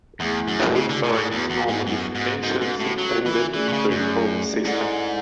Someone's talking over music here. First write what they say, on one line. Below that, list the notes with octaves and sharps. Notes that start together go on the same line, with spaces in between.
Tweaks are any small modifications intended to improve a system.
E2 A3 E4 G#4
F#2
C#3
D3
B2
A2
G#2
E2 B3 F#4 B4 F#5
E2
G#2
F#2
G#2
G#2 C#4 F#4 A4 E5
G#2
A2
F#3
E3
E3 A3 C#4 G#4 D5
B2
C#3
F#2
G#2 E4 A4 D5 F#5